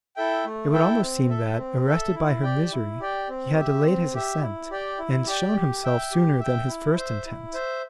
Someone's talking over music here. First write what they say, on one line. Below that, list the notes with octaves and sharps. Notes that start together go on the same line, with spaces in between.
It would almost seem that, arrested by her misery, he had delayed his ascent, and shown himself sooner than his first intent.
E4 A4 E5 G5
A3
E4 A4 E5 G5
C4
A4 E5
C4
A4 E5
E4
G4 D5 G5
E4
G4 D5 G5
C4
G4 E5
C4
G4 E5
E4
G4 D5 G5
E4
G4 D5 G5
G4
E5 G5
G4
E5 G5
E4
C5 E5
E4
C5 E5